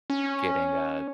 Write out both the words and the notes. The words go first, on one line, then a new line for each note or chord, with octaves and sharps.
getting a,
C#4